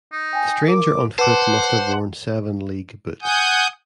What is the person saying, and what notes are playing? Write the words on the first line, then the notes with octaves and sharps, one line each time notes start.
The stranger on foot must have worn seven-league boots.
D#4
G5 G#5
A#4 D6
B4 C5 F#5 A5 D6
F#5 G#5 D#6 G6